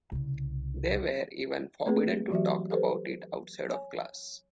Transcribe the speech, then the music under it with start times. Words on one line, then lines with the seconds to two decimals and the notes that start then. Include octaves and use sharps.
They were even forbidden to talk about it outside of class.
0.12 C2 C#3
1.86 A3 A#3 C4 G#4 B4
2.31 E3 F#3 F#4 G4 E5
2.70 G4 A4 B4 C5
3.69 C#5 G#5